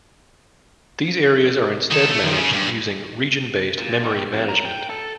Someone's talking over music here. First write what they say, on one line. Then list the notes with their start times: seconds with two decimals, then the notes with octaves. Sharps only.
These areas are instead managed using region-based memory management.
1.91 D#3 A4
2.11 A3
2.23 D#3 F3
2.37 C#3
2.53 G2
3.78 A#2
4.03 D#3 G4
4.32 F2
4.49 A#4
4.65 G5
4.90 A4